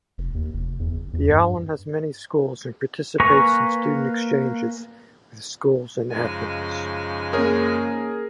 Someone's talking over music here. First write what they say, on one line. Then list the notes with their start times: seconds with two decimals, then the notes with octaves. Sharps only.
The island has many schools and participates in student exchanges with schools in Athens.
0.18 F1
0.35 D#2
0.54 F1
0.80 E2
0.93 F#1
1.13 E2
1.30 G2
3.20 A#3 B4 G#5 A#5 C#6
6.10 F#2 C#3 F3 G#3 D#4 G#5
7.33 A#3 C#4 G#4 A#4 C#5